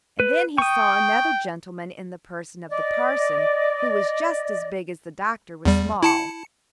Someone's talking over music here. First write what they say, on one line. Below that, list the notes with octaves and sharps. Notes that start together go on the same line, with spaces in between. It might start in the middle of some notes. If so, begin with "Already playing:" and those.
And then he saw another gentleman in the person of the parson, who was just as big as the doctor was small.
B4
G5 C#6 D#6
D5 D#5
E2 G3
E4 A5 C#7